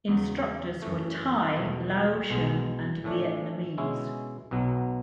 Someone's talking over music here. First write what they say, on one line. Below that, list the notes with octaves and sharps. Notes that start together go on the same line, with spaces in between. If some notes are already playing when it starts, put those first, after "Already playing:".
Instructors were Thai, Laotian and Vietnamese.
E2 C#3 F#3
F#2 E3 A3
E2 B2 A3
B1 B2 G#3
A2 E3 A3 D4
B2 G#3 C#4 E4
B1 B2 F#3 B3